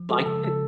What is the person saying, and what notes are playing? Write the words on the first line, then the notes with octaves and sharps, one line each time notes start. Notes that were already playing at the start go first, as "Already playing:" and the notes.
Like it?
Already playing: F3
G#3 A4
C#3 A4
C#3 A4